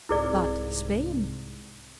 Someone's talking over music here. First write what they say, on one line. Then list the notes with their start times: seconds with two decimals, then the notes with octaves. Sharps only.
But Spain?
0.09 C2 G#2 E4 G#4 D5